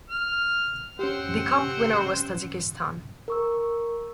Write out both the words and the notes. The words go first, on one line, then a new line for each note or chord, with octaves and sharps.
The cup winner was Tajikistan.
F6
C4 C#4 G4 F#5
A#4 C#6 E6